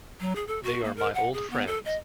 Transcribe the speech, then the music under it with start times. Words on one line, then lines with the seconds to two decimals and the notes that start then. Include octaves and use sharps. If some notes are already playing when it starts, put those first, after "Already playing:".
They are my old friends.
0.20 F#3
0.36 G#4
0.47 A4
0.63 F#4
0.84 A#3
0.97 A#4
1.15 F#5
1.33 G#4
1.50 B3
1.67 A4
1.85 D#5